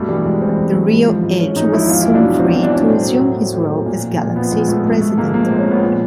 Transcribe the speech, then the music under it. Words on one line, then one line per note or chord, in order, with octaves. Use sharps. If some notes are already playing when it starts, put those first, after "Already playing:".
The real Edge was soon free to resume his role as Galaxy's president.
Already playing: G2 B2 A3
E3 G3
G2 G#3
E3 C4
G2
E3
G#2
F3
G#2
F3 C#4
G#2 D#4
F3 E4
E2 F4
B2 E4
D4
F#3
E2 C4
E2 C4
D4
B2 C#4
A2 C4
F#3
A2
F#3
A2
F#3
A#2
F3
A#2
F3 B3
A#2 G#3
F3 A3
G#2 G#3
F3 A3
G#2 A#3
F3 A#3
G#2 C4
C#4
F3 B3
A#2